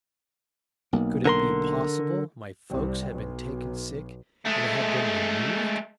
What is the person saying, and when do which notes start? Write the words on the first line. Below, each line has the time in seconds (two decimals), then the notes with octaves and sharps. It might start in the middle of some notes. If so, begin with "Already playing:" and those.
Could it be possible my folks had been taken sick and had been removed?
0.93 B1 A#3
1.25 D3 A#4 C6
2.70 C2
3.13 B1
4.46 G#3 A3